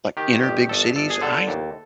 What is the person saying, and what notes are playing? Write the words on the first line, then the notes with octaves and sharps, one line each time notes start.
like, inner big cities, I
D#3 G4
G1 G4
G1 A4
G1 A4
G#4
D3 A4
D#2